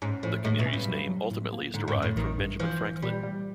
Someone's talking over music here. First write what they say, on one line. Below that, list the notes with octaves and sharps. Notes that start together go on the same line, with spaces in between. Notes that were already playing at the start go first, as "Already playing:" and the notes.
The community's name ultimately is derived from Benjamin Franklin.
G#2 C#4
A2 F3
A2 G#3
B2
C#4
G2
F#3
F#3
A2
A#3
G#2 D3
G#2
F#2
A2
A1 D#3
G2
E3 F3
E3
A#2 G3
G3